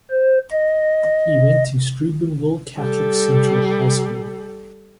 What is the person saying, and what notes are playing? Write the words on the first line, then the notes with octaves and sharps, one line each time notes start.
He went to Steubenville Catholic Central High School.
C5
D#5
G3 A4